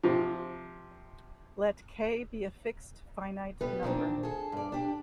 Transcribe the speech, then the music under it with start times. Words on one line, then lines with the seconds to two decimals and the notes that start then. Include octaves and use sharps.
Let "k" be a fixed finite number.
0.03 C3 F3
3.61 G3 B3 B4
3.83 A#2 D#3 C4 D4
4.23 G#4 A4
4.52 G2 D5
4.72 D4 G4